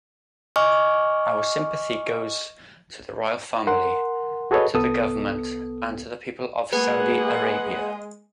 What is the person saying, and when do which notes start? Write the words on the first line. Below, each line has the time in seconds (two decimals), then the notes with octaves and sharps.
Our sympathy goes to the royal family, to the Government and to the people of Saudi Arabia.
0.56 D#5 G#5 C#6 D6 F6
3.67 A#4 F#5 C6
4.51 F#4 G#4 A4 B4 C#5 D#5
4.74 C2 B3 A4 D#6
6.73 G#3 A#3 G#4 B4 F#5